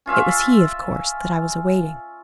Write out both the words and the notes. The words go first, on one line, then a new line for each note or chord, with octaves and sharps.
It was he, of course, that I was awaiting.
C#4 F4 E5 F5